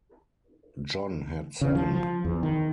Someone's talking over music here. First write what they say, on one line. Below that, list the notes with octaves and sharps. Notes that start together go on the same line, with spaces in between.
John had seven.
C#3
F3
F3
E2
D#3